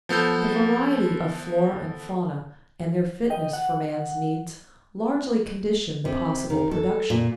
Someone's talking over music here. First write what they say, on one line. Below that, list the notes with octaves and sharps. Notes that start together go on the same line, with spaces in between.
The variety of flora and fauna, and their fitness for man's needs, largely condition the possible production.
F3 B3 A4 G6
D#5 G5
F#5
C3
D#3
A4
A#2